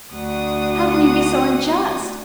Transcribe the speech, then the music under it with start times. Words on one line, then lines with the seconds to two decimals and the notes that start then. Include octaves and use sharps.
How can you be so unjust?
0.13 D2 D4 F#4 F#5 D#6